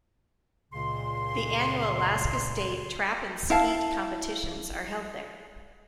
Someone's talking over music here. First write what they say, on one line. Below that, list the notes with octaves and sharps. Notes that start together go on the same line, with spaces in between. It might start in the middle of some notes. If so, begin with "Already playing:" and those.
The annual Alaska State Trap and Skeet competitions are held there.
C#2 A#2 C#3 C6
E4 F5 A5